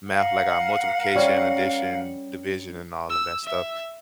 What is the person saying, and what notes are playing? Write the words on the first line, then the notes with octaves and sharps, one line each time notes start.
math, like our multiplication, addition, division, and all of that stuff,
A#4 F5 F#5
G3 C#4
E6
E5